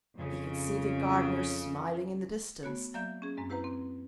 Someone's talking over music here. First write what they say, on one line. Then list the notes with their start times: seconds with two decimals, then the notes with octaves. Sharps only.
He could see the gardener smiling in the distance.
0.16 F2 C#3
2.63 A3 B3 F#4 C#5
2.94 F#3 A#3 D5 E5 F5 G6
3.22 C#4 G#4
3.37 F#2 G#3 C4
3.50 E4 G4 B4 C5 F#5 A#5
3.64 C4